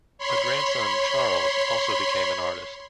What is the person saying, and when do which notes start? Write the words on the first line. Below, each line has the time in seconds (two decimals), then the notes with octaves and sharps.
A grandson, Charles, also became an artist.
0.18 C#5 B5 C6